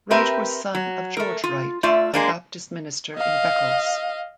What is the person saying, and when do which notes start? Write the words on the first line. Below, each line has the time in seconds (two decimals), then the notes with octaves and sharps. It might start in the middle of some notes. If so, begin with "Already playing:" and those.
Wright was son of George Wright, a Baptist minister in Beccles.
0.11 C4 G4 A#4 B4 E5
0.75 F#3
1.17 A3 A#4
1.44 F4
1.83 A3 F4 D5 E5
2.14 G#3 A#3 D4
3.15 D#5 F5